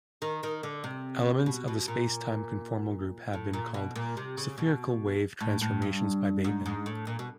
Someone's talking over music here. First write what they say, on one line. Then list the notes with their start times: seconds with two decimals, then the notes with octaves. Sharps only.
Elements of the spacetime conformal group have been called spherical wave transformations by Bateman.
0.22 D#3
0.43 D#3
0.63 D3
0.84 C3
1.46 B2
1.68 B2
1.88 A#2
3.33 A2
3.53 A#2
3.74 B2
3.96 A#2
4.17 C3
4.37 C#3
4.58 B2
5.40 A2
5.61 A2
5.82 G2
6.44 G#2
6.66 G#2
6.86 A2
7.07 A#2
7.19 B2